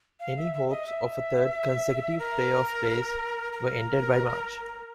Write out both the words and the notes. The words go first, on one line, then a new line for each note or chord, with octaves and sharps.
Any hopes of a third consecutive play-off place were ended by March.
F5
E5
E5
D#5
E5
A#4
A#4